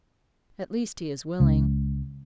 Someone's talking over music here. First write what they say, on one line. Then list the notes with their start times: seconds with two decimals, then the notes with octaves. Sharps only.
At least he is willing.
1.40 C#2